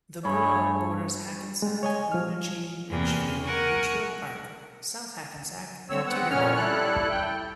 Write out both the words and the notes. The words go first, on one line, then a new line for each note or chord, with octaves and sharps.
The borough borders Hackensack, Moonachie, Ridgefield, Ridgefield Park, South Hackensack and Teterboro.
G2 A3 G#4 C#5 B5
G#3
C#5 D#5 G#5
F3 F6
E2 C3 A#3 G#4 G5
A#4 F#5 G#5 C#6
D3 C4 C#5 E6
B3 C4 F#5
F2 A#2 C#4 C#5 F6
G3 E4 A4 F#6
G5